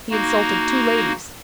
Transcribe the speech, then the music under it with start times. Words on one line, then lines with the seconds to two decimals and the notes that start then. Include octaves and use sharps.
He insulted two ladies.
0.11 A#3 D#4 F#4